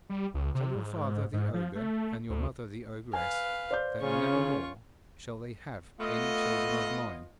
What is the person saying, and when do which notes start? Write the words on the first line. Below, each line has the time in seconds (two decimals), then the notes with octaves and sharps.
Tell your father the ogre and your mother the ogress, that never more shall they have any children of mine.'
0.10 G3
0.34 C#2
0.55 C3
0.75 G#2
1.33 G#2
1.54 F3
1.75 A3
2.30 D2
3.13 B4 F5 G#5
3.71 C5 D5 G6
4.01 C#3 C#4 F4 C#6
5.99 A3 B3 F4 D#5